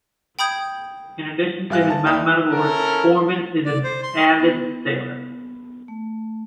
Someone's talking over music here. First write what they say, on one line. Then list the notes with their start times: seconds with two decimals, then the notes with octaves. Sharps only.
In addition to his mathematical work, Foreman is an avid sailor.
0.39 G5 B5 D#6 G6 G#6
1.70 G#1 G3 E5 F5 G#5 F#6
1.90 A5
2.06 D#2 D5 E5 B5 D#6
2.49 C#4 E4 A4 A#4
3.66 D5
3.84 C5
4.03 C6
4.40 B3
5.88 A3